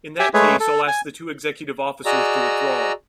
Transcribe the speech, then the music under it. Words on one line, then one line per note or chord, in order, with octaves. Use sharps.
In that case I'll ask the two executive officers to withdraw.
G4 E5 G5 G#5
G#3 A3 G#4 B4 C#5 E5
A4
G#5
F#4 G#4 D5 D#5 A#5 E6